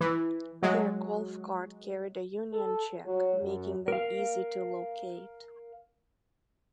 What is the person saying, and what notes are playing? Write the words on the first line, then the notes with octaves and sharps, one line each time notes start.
Their golf cart carried a Union Jack, making them easy to locate.
E3
F#3 G#3
A4
F#3
F#2
A#4 F5